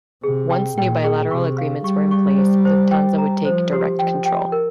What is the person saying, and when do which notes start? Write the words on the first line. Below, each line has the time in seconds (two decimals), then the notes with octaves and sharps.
Once new bilateral agreements were in place, Lufthansa would take direct control.
0.24 C3 G#4
0.50 G5
0.77 A#2 G5
1.04 G#4
1.31 C3 C#6
1.58 F5
1.84 G3 C#6
2.11 C#6
2.38 C5
2.65 C5
2.91 G5
3.18 A#5
3.45 F3 C5
3.73 G4
3.99 F3 G5
4.26 G5
4.52 A#4